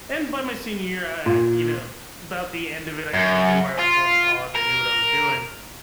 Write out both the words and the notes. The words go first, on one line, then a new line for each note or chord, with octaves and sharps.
And by my senior year, I I, you know, 'bout the end of it, I kinda knew where I was going to college. I knew what I was doing.
A#2
F#2
F4
A#4